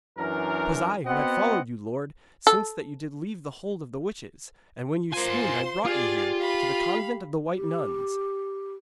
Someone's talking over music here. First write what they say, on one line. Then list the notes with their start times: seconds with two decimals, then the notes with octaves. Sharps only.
'Twas I who had followed you, lord, since that you did leave the hold of the witches, and when you swooned I brought you here, to the convent of the White Nuns.
0.18 F#2 E3 D4 A#4
1.05 B3 C4 F#4 D#5 F#5
2.47 A4
5.13 F4 A#4 C5 G#5 C6
5.85 F4 G4 G#4 D5
6.39 F5 B5
7.52 G4